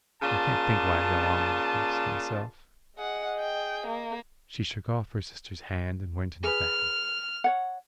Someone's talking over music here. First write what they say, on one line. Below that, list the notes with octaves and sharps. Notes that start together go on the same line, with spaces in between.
"I can't think why I go on like this myself." She shook off her sister's hand and went into the house.
C#3 A#3 F4 D5 A5
G#4 D#5 F#5
G5
A#3
G#4 B4 F6
C#5 F#5